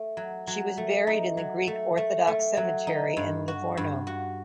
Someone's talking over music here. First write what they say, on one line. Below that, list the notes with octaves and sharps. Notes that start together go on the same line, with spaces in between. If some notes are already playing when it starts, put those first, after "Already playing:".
She was buried in the Greek Orthodox cemetery in Livorno.
Already playing: A3
F#3
F#3
A3
D#4
F#3
A3
A3
A3
F#3
D#4
G2
F#4
G2
F#4